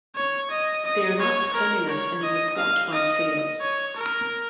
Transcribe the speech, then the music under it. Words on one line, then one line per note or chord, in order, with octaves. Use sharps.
They are not sending us any report on sales.
C#5
D#5
D#5
C#5
A#4
C#5
D#5
F5
D#5
C#5
A#4